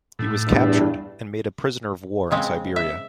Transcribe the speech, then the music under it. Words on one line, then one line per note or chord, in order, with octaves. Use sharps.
He was captured and made a prisoner of war in Siberia.
A2
E2 G2 E3
C#3 G#3 C4
E5